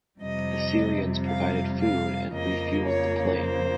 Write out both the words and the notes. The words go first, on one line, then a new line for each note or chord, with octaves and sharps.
The Syrians provided food and refueled the plane.
F2 C3 G3 D#5
F5
F5
F2 C#3 F3 A#3 D#5
C#5
C5